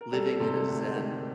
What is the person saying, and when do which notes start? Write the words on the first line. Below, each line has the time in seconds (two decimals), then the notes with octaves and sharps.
living in a Zen
0.01 A#4
0.13 G3 A4
0.40 C3 A4
0.68 D2
0.95 D#3